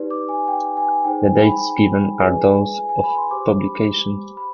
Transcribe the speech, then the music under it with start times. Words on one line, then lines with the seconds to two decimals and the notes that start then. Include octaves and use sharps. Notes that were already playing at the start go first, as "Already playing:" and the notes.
The dates given are those of publication.
Already playing: D#4 G4 B4 D5
0.11 D6
0.29 G#5
0.48 G5
0.77 G#5
1.05 D#4 G#4 C5 G5
1.23 G#5
1.43 B5
2.18 F4 G#4 B4 D5 G#5
2.74 G#5
2.89 G#5
3.04 B5
3.17 C6
3.31 G4 C5 D6
3.59 B5
4.37 B5